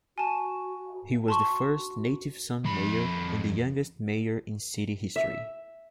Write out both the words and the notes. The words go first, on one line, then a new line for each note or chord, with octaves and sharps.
He was the first "native son" mayor and the youngest mayor in city history.
F#4 G#5 A5
F#4 A5 C6 C#6
F2 B5
E5